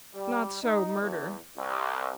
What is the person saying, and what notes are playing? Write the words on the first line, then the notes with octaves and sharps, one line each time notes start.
Not so, murder.
G3
D#4
E2
C2